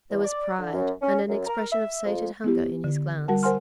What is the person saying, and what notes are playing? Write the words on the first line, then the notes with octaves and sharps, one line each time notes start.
There was pride and an expression of sated hunger in his glance.
E2
D5
D3
F#2
C#4
F#2
A#4
E5
F2
B3 E4 G4
D3
G3 F#4 A#4 F#5 A5
A#4 C5 F#5 G#5 C6 F6